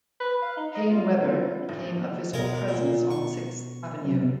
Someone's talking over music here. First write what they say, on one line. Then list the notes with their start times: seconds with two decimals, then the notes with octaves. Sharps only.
PaineWebber became a visible presence on Sixth Avenue.
0.20 B4
0.42 F5
0.57 D#4
0.75 D#5
0.90 F4
1.22 C4 E4 F4
1.69 A1
2.33 B2 G#3 A#4 F5
2.68 A#2
3.11 C#6
4.05 F#3
4.25 C3